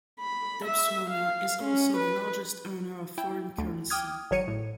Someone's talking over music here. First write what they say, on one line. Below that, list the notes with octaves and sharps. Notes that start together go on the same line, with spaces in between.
Debswana is also the largest earner of foreign currency.
B5
E5
F5
C#4
B4
E4 G5
D2
G5 D6 D#6 F6 G#6
G#1 F#3 C#5 C#7 D#7
A2